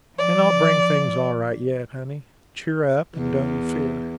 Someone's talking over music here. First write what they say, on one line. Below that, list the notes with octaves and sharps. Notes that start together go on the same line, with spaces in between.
And I'll bring things all right yet, honey--cheer up and don't you fear.
F3 D5
E2